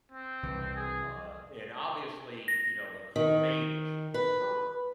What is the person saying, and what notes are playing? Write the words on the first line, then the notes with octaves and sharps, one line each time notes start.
uh, and obviously, you know, like homemade is preferred,
C4
C2 E3
G#4
A#6
D#3
B4